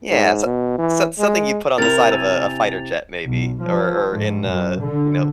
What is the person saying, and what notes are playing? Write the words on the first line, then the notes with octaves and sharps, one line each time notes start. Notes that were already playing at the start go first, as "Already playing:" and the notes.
Yeah. So so something you put on the side of a a fighter jet maybe, or or in a, you know,
G#2
B2
E3
G#3
C3 E4 A#4 A6 F7
G#5 E6
B1
F3
G#2
F#2
D3